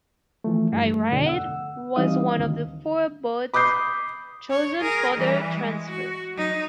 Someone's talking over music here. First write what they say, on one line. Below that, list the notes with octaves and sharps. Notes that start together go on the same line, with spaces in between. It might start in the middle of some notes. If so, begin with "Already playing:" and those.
"Iride" was one of the four boats chosen for the transfer.
E3 F3 A3
G2 A3
F2 B2 D3
F#5 E6
E3 G3 C4 D#4 F5 D#6
D2 D#3
B5 D6 D#6 G6 C7
C#5
G#4 A#4
E3 G3
G#3
F#4
F#3 D#4